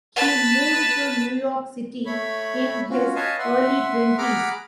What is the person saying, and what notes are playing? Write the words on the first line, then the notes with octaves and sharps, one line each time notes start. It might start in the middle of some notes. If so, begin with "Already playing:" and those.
He moved to New York City in his early twenties.
B4 A5
A3 C#5 B5
C#4 F4 F#4
B4 C#5 D#5 F5 G#5 A5
B4 E5 F#5 C6
G#4 F#5 A#5 B5 D6 F6